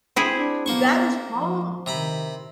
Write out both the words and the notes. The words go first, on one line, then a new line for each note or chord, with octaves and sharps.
that is wrong.
C4 E4 G#4
D4
A#3 B3 C5 C#6
F3
C3 D#3 A#5 B5